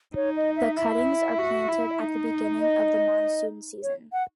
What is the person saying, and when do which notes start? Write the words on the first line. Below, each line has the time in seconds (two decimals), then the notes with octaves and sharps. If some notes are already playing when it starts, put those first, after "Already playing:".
The cuttings are planted at the beginning of the monsoon season.
0.15 D#4 C#5
0.36 D#5
0.56 E5
0.77 E4 E5
1.38 F#4
1.68 E4
1.99 D#4
2.60 D#5
3.83 C#5
4.13 F#5